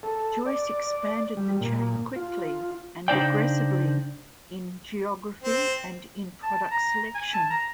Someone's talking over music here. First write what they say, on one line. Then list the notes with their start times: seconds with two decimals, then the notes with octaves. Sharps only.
Joyce expanded the chain quickly and aggressively in geography and in product selection.
0.03 A4
0.46 D5
1.37 G3
1.61 A#2
2.16 F4
3.08 C#3 D4 D#4 C5 D5 G5
5.44 C4
6.43 A5
6.71 A#5
7.15 G#5
7.34 A5
7.50 A#5